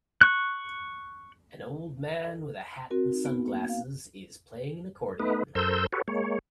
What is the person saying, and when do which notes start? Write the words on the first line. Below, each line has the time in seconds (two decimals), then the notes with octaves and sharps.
An old man with a hat and sunglasses is playing an accordion.
0.21 C#6 F#6
2.90 C4 F#4 A#4
3.12 D#4
3.26 B3
3.48 A#3
3.69 F5
5.20 A3 B3 D#4 B4
5.55 F#2 A4 A#4 C5 E6 G6
5.93 F#4 G4 A4 B4 C#5
6.08 G#3 A#3 C#5